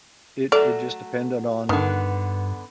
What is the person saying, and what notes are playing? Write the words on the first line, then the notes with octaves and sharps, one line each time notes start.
It it just depended on
F#3 A3 A4 D5
G2 D3 D#3 B3